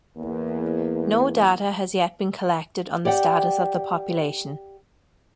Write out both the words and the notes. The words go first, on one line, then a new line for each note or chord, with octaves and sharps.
No data has yet been collected on the status of the population.
E2 A#3
G4 D5 F#5 G5